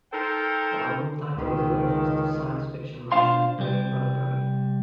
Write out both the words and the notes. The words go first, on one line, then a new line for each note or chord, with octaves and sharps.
The album title is a reference to science-fiction writer Ray Bradbury.
D#4 A4 A#4 C5 G5
C#2 D#3
B2 D4 F4 C5 F5 C6
C2 G3